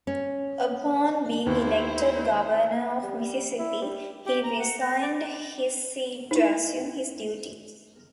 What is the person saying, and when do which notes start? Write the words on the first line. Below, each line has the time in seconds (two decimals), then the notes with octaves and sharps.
Upon being elected governor of Mississippi, he resigned his seat to assume his duties.
0.07 C#4
1.46 D#2 E4 C5
3.03 G3
3.59 E4
3.81 G3
4.25 G4
4.42 A#5
4.59 F#5
4.79 A#6
5.01 D5
6.31 D#4 E4